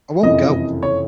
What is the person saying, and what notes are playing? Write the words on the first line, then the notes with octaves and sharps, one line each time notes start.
I won't go!
F#1 F2 C3 E3 D#5
C#5